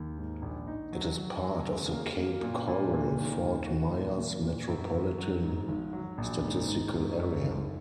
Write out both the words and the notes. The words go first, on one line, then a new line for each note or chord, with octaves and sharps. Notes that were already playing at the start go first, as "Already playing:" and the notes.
It is part of the Cape Coral-Fort Myers Metropolitan Statistical Area.
Already playing: D#2
G#2
A#1
D#4
F#3
F#3
F#3
C#3
A#3
A#3
A#2
A#2
A#2
D#3
D#2
F#4
A#2
A#3
A#2
F#2
F#2
F#3
G#2
G#1
F#3
A#1
G#2
G#2
F#2
F#2
G#1